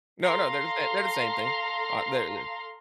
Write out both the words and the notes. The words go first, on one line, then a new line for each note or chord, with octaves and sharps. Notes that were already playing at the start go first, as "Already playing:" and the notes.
No, no, they're the same they're the same thing. Uh, they they're
A4 F5 A#5 C6